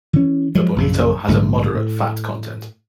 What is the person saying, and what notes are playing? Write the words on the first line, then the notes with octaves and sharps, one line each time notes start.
The bonito has a moderate fat content.
E3 C#4
F3 F#3 G#3
A#1 F#2 C#3
A#1 G#2 D3 A3
A2